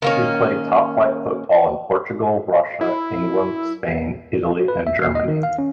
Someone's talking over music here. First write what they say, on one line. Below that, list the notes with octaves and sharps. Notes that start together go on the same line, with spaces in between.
He played top flight football in Portugal, Russia, England, Spain, Italy and Germany.
D#3 A#3 C#4
E4
B4
E5
C7
D#5
D#3
F5
C#4